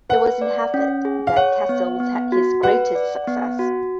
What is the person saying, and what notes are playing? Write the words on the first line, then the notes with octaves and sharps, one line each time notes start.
It was in Hartford that Cassels had his greatest success.
B4 F#5
D5
C#4
G#4
F5
C#5 F#5
B3
B3
F#4
B4 F#5
D5
B3
F#4